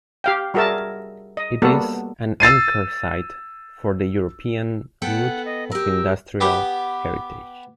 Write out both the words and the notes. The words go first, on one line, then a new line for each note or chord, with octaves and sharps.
It is an anchor site for the European Route of Industrial Heritage.
G4 F5 G5
G3 F#4 G#4 A#4 E5 A5
D#5
G3 A#3 B3 F#4 A4 F#5
E6 A6 C7 D#7
B3 A4 F#5 G5
D#5
G4 A#4 E6
B3 G4